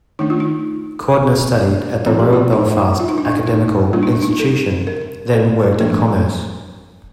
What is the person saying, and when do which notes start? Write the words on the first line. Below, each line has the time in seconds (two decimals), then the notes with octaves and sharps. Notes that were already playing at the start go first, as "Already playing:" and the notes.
Cordner studied at the Royal Belfast Academical Institution, then worked in commerce.
0.19 D#3 A3 D4 D#4
0.30 F4
0.40 D#4
2.06 F3 C4 F4
2.19 G4
2.33 F4
2.53 D#4
3.00 F4
3.09 D#4
3.18 D4
3.26 D#4
3.47 D#4
3.93 G3 A#3 D4 F4
4.03 D#4
4.13 D4
4.22 D#4
4.40 A4
4.87 A#4
5.33 A4
5.81 F3 A#3 D4